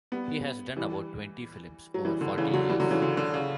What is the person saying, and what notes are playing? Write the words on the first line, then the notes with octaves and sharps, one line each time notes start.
He has done about twenty films over forty years.
G3 B3
E3 G3
F#3
E3 G3
D3
C#3 E3
D3 F#3
E3 G3
D3 F#3
C#3 E3
D3
D3
C#3